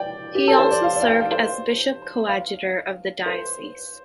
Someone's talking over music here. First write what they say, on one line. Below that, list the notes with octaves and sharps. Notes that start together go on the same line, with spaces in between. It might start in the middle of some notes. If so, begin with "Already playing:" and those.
He also served as bishop coadjutor of the diocese.
Already playing: D5 G5
G4
A4
C5
D5
F5
D5
F5
G5
F5
C5
F5
C5